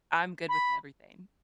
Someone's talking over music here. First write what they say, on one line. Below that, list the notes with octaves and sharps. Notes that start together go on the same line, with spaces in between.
I'm good with everything.
B5